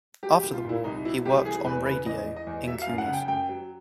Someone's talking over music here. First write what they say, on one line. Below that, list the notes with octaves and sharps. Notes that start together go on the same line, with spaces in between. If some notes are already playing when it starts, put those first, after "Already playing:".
After the war, he worked on radio in Kaunas.
F#3 G4
G4
C2
F4
A#2 E4
C2 D#4
F#3 E4
C2 G4
E3 G#4
E2 B4
C#3 B4
E2 D#5
E3
D#5
E2
F#3 E5
F5
F#2
F#5
C#3
G5
F#2 G5
F#3